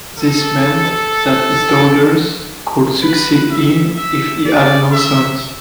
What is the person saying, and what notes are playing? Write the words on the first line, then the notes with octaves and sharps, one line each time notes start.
This meant that his daughters could succeed him if he had no sons.
A4
B4
E5
E5
D5
E5